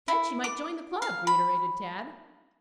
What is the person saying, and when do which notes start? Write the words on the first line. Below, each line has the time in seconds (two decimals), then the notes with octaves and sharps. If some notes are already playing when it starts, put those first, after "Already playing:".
"I said she might join the club," reiterated Tad.
0.08 E4
0.44 D6
1.02 F5
1.27 B5